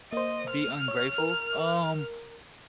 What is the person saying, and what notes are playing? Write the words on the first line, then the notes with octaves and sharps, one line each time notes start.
be ungrateful, um,
A#3 C5 D#5
F6
C#5
A#4